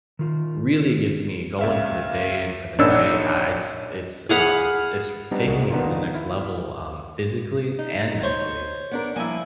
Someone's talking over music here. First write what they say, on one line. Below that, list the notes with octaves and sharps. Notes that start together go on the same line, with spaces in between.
really gets me going for the day and for the night, I it's it's, um, it's taking me to the next level, um, physically and mentally.
D#3 F4
C#2 E5 F5
A#1 D4 D#4 C#5 E6
G#4 F5 F#5 B5
G3 B3 C4 D4 D#4
C2 G#3 A#3 F#4
D#3 B3 D4 D#4 F4
E4 F5
D#4
C5 C#5
B3 D4 A#4
F3 G3 A#3 E4 G#5